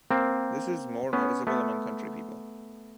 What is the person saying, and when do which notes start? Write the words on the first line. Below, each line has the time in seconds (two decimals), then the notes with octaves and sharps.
This is more noticeable among country people.
0.11 A#3 C4
1.13 B3 C#4
1.47 A3 B3